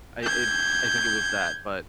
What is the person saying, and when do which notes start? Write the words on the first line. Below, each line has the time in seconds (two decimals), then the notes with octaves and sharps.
I, i I think it was that, but
0.24 G6 G#6